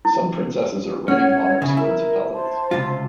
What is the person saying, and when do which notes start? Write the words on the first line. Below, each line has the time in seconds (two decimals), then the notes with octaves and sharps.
Some princesses are reigning monarchs of principalities.
0.05 E4
1.08 C#4 C#5 F#5 G#6
1.62 C#3 E5 G#5 B5
1.77 E4 A#4
2.33 C5 A5
2.71 C#2 C3 F4